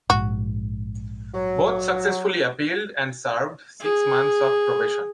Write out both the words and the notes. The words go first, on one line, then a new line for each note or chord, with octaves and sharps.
Both successfully appealed and served six months of probation.
A#1 G#2 F#4
F#3
G#4